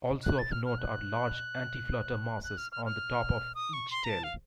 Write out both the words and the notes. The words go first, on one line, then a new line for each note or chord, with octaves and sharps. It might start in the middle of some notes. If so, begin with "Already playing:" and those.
Also of note are large anti-flutter masses on the top of each tail.
F#6
A6
F6
F6
F#6
F#6
F6
F6
F6
D#6
C#6
C6
A#5
A5
F5